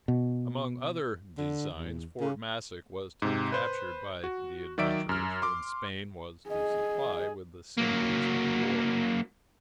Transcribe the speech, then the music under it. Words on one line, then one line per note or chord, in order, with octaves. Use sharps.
Among other designs, Fort Massac was to be captured by the adventurers, whom Spain was to supply with the sinews of war.
B2
D3
E2
C#3
G#2 C3
B4 C5
F#4
D#3 F#3 D5 E5 D7
F#2 F6
C6 D6
G#4 D#5
F#3 A#3